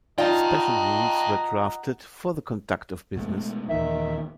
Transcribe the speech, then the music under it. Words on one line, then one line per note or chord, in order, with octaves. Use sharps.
Special rules were drafted for the conduct of business.
D#4 F4 D5 D#5 F#5 G5 A5 A#5
B2 G#3 A3
D#2 A#2 D#3 E3 E5